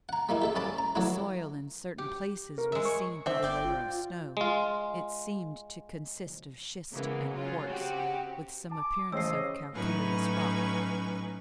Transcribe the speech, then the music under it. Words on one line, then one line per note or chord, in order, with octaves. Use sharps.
The soil in certain places was seen through the layer of snow; it seemed to consist of schist and quartz, with some appearance of calcareous rock.
F#5 A#5
G3 A#3 D#4 E4
G4 A4 E5
G2 C#4 A5 B5 D6
A#5
F#3 A3 B3 D4 E4
G4
A#4
G#3 E5
C#6
D3 C4 E5
G1 D5 G5 D6
F4
G#3 F4
C#3 E3 G#3 A#3 B3
F#3 C#4 F4
C#3 C4 F#4 G4
A5 D6
A1 C#3 C5 D#5 E6 C7
A2 F#3 C#4 D#4 B4 C#6